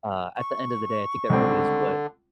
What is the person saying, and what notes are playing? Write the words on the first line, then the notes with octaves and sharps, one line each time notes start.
uh, at the end of the day, I think that really is what
C#6
C#2 D3 G3 C4